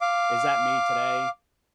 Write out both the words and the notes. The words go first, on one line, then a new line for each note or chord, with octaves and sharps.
Is that me today?
F5 D6